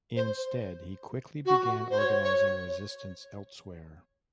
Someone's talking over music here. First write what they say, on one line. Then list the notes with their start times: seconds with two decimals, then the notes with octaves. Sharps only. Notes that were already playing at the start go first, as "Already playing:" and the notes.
Instead, he quickly began organising resistance elsewhere.
0.16 C5
1.46 F#4
1.91 C5
1.98 C#5
2.24 C#5